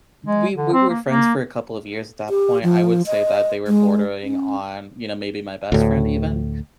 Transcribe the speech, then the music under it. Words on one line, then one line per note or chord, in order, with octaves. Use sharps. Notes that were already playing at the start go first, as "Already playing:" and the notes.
we we were friends for a couple of years at that point, I would say that they were bordering on, you know, maybe my best friend, even.
G#3
D3
C4
A#3
A#3
G4
F3
D#5
G#3
C#4
D2 A2